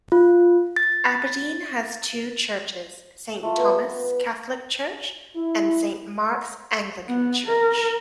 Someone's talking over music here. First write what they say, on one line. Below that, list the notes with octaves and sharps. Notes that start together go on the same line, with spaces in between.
Aberdeen has two churches - Saint Thomas Catholic Church, and Saint Marks Anglican Church.
F4
A6
A3 F4 A5
B3 A#4 F#5
B5
B5
E4
B3
A#4